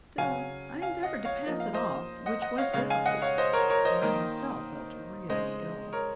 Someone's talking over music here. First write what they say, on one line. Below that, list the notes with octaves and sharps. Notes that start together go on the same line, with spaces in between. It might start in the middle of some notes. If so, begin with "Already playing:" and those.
Still, I endeavoured to pass it off, which was difficult, for I myself felt really ill.
C#3 F#3 C#4 F5 G#5
F5 G#5
D#5 F#5
C#5 F5
F3 A#3 D#4 D#5
F5
C5 D#5
D#5 F#5
D#5 F#5
C#5 F5
C#3 G#3 D#4 C#5 F5
F5 G#5
D#5 F#5
C#5 F5
C5 D#5
A#4 C#5
A#4 C#5
C5 D#5
D#3 A#3 D#4
C#3 G#3 D#4 C5 D#5
A#4 C#5